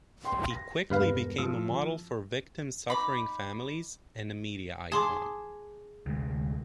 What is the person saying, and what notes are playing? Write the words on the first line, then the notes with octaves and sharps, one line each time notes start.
He quickly became a model for victims' suffering families, and a media icon.
G5 C6
A#6
E1 G2 B4 F5
F3 E6
D#4 B5 D6
G#4 A5 C6 D6
D2 C3 G#3